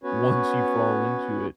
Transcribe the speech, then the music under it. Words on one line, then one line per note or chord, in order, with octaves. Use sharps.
once you fall into it,
B3 C#4 F#4 B4 C#5